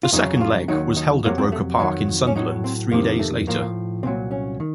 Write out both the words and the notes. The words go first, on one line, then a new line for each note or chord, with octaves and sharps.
The second leg was held at Roker Park in Sunderland three days later.
F4
F2 C#3 F#3 D#4
F#4
F4
D#2 D#3 F#3 D#4
D#4
F2 C3 F#3 A#3
C4
A3
F2 D#3 F#3
C#4
A2 F#3 D#4
C4
F2 C3 D#3 A#3
A3
A2 F3 A#3
C2 A#2 F#3 C4
C#4
D#3